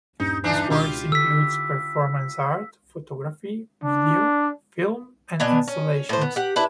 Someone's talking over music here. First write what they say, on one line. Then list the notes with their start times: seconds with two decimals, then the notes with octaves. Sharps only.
His works includes performance art, photography, video, film and installations.
0.20 D#1 G2 C#4 D#4
0.44 E3 D4 D#4
0.70 C#2 B2 D4 E4 F4 G4
1.12 D3 E6 B6
3.84 D4
5.40 B2 B3 D4 G#5
5.68 C#4
6.09 A2 C5
6.21 B3
6.36 G4 F#5
6.56 D4 E4 B4